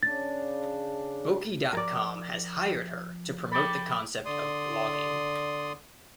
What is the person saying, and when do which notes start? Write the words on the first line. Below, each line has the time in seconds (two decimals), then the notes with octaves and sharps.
Bokee dot com has hired her to promote the concept of blogging.
0.03 C#3 D4 A6
1.73 F3 A#4 D5
3.51 A4 G5 B5 D6
4.25 D3 D5 C6 D#6